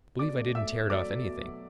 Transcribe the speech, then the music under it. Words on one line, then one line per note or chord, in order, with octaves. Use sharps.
I believe I didn't tear it off anything.
B2 D5 D6
A3
A3 E5 E6
A3
F#3 D5 D6
F#3
B2
F#3